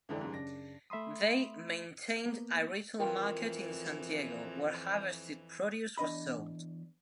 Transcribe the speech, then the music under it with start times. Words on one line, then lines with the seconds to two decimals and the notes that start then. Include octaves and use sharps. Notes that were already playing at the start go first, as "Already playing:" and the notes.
They maintained a retail market in San Diego where harvested produce was sold.
0.09 F2 G#2 D3 E3 A4 D5
0.21 D#2 G#2 C#3 F#3 G#3
0.32 F#2 C#3 D4 A#6
0.90 A3 E5 B5 C6 D#6
2.26 A#3 B3
2.99 F2 E3 F4 A#4 G5
5.98 E2 D4 D#5 B5